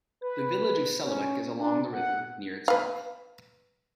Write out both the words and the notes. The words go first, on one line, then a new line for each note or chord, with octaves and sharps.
The village of Selawik is along the river near its mouth.
B4
C#4
D4
F#5
B4 F5